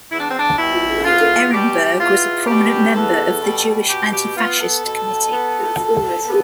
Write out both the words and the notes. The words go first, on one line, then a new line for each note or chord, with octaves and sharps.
Ehrenburg was a prominent member of the Jewish Anti-Fascist Committee.
E2 E4
D4
C4
D4
B2 G3 E4
E2 F4
B2 G3 G4
E2 F4
B2 G3 G4
E2 A4
B2 G3
B2 G4
G4
B3 F4
A4
B2
B3
B2
B3